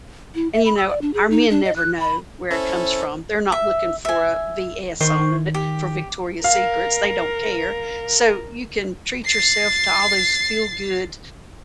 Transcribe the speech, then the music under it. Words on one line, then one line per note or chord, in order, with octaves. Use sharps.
and, you know, our men never know where it comes from. They're not looking for a "VS" on it for Victoria's Secrets. They don't care. So you can treat yourself to all those feel good,
E4
E5
B5
E6
D5
D4
G#4
D#4
D4
D#5
F#6
B5
C#4 E4 A4 C5
E5
E5 G#5
D#3 C5 C#6
G4
A#4 F5
A6 C7